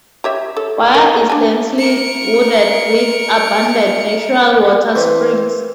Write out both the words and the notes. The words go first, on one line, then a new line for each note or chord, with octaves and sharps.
Waya is densely wooded with abundant natural water springs.
G4 C#5 E5
A4
A#4
D4 G4 G#5
A#4 C#7
E3 C4